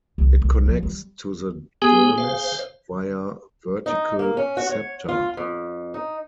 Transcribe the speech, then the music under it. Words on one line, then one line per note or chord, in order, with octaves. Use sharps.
It connects to the dermis via vertical septa.
C2
C2
F3
G3
B3 G4 G#4
C5 F5
D#4
A#3
C#4
F#4
C#5
F4
F2
D#4